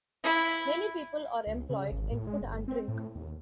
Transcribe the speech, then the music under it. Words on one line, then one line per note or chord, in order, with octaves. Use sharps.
Many people are employed in food and drink.
E4
C#2
C#3
G#1
A2
G#3
G1
C4
A2
D#2